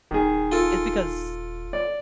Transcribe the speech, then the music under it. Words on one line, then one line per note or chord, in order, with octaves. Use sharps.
Is because
D#1 D#3 G#4
F4 A4
D5